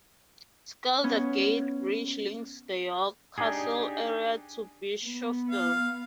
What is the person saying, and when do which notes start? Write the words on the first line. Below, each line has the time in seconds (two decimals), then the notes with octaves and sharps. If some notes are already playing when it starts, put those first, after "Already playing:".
Skeldergate Bridge links the York Castle area to Bishophill.
1.04 B3 C#4
3.38 D4 D#4 G4 G#4
5.06 B3
5.51 F5